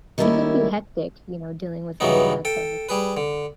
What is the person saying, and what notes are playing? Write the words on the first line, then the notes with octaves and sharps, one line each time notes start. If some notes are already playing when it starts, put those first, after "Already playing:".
It can be hectic, you know, dealing with all that, but
D#3 G3 A3 A#3 C#4 E4
G2 C#3 E3 F#3 B3 D#4
A4 G5
G3 G#4 B4
D3